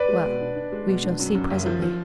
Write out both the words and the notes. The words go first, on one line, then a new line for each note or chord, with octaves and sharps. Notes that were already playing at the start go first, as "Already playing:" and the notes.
Well, we shall see presently.
Already playing: B4 D5
G#3
B2
D4
D4
G#3
B2
D4
F#2
F#2
F#1
F3
F3